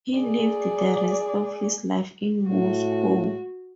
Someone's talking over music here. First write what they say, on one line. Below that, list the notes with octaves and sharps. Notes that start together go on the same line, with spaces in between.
He lived the rest of his life in Moscow.
G#4 D5
A2 F#4